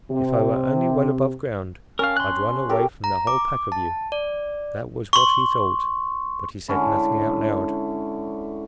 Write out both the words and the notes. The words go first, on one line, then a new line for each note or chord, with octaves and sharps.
"If I were only well above ground, I'd run away from the whole pack of you." That was what he thought, but he said nothing out loud.
C3
C#4 A#4 F5 A5
C6 F#6
G4 A4 A#4
A#5
D6
A5
D5
C6 C#6
D3 G#3 C#4 E4